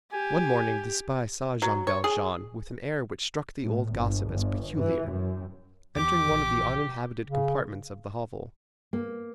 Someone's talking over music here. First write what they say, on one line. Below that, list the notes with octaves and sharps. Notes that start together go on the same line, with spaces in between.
One morning, this spy saw Jean Valjean, with an air which struck the old gossip as peculiar, entering one of the uninhabited compartments of the hovel.
G4 G#5
F#3
C#5
G#4
A2
G1
G1
E3
F#2
E2 G4 D6
A#1 E3
C#3
A#3